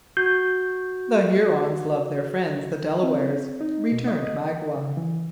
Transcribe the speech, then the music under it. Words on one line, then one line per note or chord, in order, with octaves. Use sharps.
"The Hurons love their friends the Delawares," returned Magua.
F#4 G6
C4
D#4
B2
D#5
C#3
E3